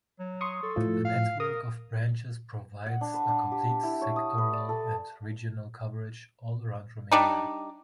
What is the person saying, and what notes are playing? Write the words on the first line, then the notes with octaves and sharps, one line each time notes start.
The network of branches provides a complete sectoral and regional coverage, all around Romania.
F#3
C6 C#6 D#6
A4
A2 F3
F5
A#4 D#6
F#5
D4
B4
D4
G4
E4
C#5
D#6
B4
D5
A4
G3 D4 D#4